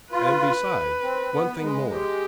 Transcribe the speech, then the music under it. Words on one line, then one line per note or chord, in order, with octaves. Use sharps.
And besides--one thing more!
F4 B4
C4
B3
B3
G#3
G4